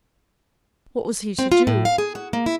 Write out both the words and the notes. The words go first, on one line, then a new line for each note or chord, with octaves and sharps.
What was he to do?
C4
F4
A2
F5
G#4
F#4
A#3
E4